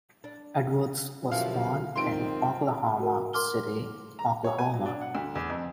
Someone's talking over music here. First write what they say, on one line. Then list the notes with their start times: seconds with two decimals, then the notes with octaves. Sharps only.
Edwards was born in Oklahoma City, Oklahoma.
0.24 D4
1.32 F#2 B2 D3 F3 E4 G4 F5
1.96 F#2 D#3 G#3 C4 F4 A#4 C6 D7
3.00 F#4 A#4
3.33 A#4 C6 D6 F6 G7
4.19 A#5
4.44 C#5
4.59 G#5
4.73 F#3
4.86 D4
5.01 F#5
5.15 D2
5.35 E2
5.50 F2